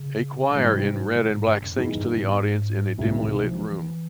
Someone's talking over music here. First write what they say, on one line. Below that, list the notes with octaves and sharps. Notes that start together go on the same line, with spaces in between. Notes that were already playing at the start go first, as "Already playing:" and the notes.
A choir in red and black sings to the audience in a dimly lit room.
Already playing: C#3
B2
G#2 C3 E3 G3
A#2
G#2
G2
F#2
F#2 E3 G3 B3 D#4 G#4
G2
G#2
C2 G#2 C3 D#3 G#3
A2
B2
F3
E3